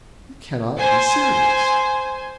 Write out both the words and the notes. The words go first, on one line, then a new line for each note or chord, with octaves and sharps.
"You cannot be serious."
C5 G#5